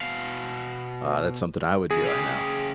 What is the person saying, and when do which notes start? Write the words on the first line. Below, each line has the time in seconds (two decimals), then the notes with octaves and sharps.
Uh, that's something I would do, I know.
0.01 B2 F5
1.91 E2 G#4
2.04 C#3 G4